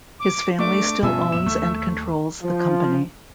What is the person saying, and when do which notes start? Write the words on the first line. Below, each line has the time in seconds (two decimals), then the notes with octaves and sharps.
His family still owns and controls the company.
0.20 D6
0.59 A3 D4 D6
1.03 G2 B2 F3 B3 C#4 E5 G#5
1.32 F2 A#2 B3 E7
1.46 D#2 A3
2.42 F3